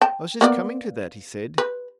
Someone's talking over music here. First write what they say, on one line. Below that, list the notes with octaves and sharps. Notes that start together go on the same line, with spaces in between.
"I was just coming to that," he said.
G5 A5
A#3 B3 D5
B4